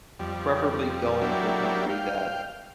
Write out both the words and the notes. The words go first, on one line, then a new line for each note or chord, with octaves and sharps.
preferably going to a country that
F2 G3
F#3 A#3 D4 E4 G4
F5 G5